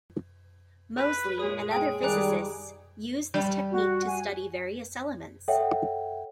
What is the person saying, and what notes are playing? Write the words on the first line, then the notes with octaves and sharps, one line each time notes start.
Moseley and other physicists used this technique to study various elements.
B4
A#2 G#3 G#4 C#5 D#6
G#3 G#4 G5
D#3 G3 G#3 G#4 D5 A#5 D6 F#6
G3
F#4
G#5
A4 C#5 E5 F#5 G5